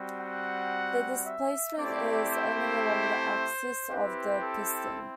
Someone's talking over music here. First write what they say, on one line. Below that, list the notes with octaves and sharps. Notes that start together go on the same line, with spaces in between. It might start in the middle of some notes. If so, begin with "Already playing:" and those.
The displacement is only along the axis of the piston.
Already playing: G3 C4 F#4
F#5
E5
A3 C4 E4 G4 D5
C5
C4 E4 G4 B4
A4